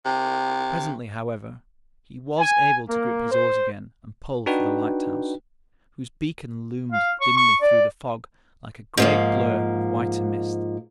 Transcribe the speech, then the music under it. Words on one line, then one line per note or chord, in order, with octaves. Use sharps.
Presently, however, he was able to grip his oars again and pull for the lighthouse, whose beacon loomed dimly through the fog like a great blur of whiter mist.
C3
G#5
A#3
C5
D4 D#4 F#4 B4 G5
F5
C#6
C#6
D5
G#2 F3 A#3